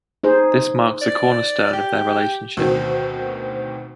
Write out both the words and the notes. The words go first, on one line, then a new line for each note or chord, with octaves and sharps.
This marks a cornerstone of their relationship.
D#4 G#4 C5
D5
G4
D2 B2 D#3 C4